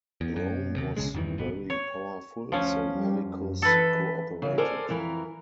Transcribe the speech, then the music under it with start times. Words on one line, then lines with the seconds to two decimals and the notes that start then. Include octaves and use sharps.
Rome was very powerful, so Malichus cooperated.
0.21 E2
0.36 F#2
0.76 D#2 C3
0.97 B1 C#3 G#3
1.14 E2 G2 D#3 E3
1.38 D1 G1 B2 B3
1.70 C#5
2.52 D2 F3 C#4
2.94 G3
3.27 F#2
3.62 E3 A4 B4
4.42 C#3 E3
4.58 A4 A#4 C5 D5 G#5
4.89 F2 E3 A#4